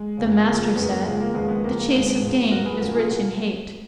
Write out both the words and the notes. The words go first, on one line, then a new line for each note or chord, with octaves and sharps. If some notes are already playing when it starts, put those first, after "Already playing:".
The Master said, The chase of gain is rich in hate.
Already playing: G#3
F2 C#3 F3
G#3
C#2 C#3 F3 A#3
A#3
F#2 F3 G#3 B3
A#3
C#2 C#3 F3 G#3
A#3
D#2 C#3 F3 G#3 B3
G#3 B3
C#2 C#3 F3 A#3
A#3
D#2 D#3 G#3 B3
G#2 F3
G#2 F3 F#4 A#4
G#4 B4
C#2 C#3 F3 F#4 A#4
F4 G#4
B2 F#4 A#4